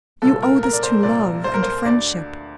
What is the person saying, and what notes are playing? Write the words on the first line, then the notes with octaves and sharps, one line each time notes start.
You owe this to love and friendship.
C2 A#2 A4
A#4
A#4
D5
C5
C2 A#2 D5
C5
A#4
C5
D2 D3 D5